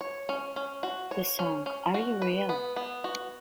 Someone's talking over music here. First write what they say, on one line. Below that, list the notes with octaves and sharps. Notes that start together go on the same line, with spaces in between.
The song Are You Real?
C#5
C#4
C#4
F#4
C#5
C#4
C#4
F#4
B4
B3
B3
F#4